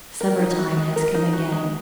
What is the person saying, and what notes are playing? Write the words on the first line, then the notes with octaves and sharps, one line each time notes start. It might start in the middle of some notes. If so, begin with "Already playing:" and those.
Summer-time has come again.
A#4
D#4
F#4
G#3
A#4
D#4
F#4
G#3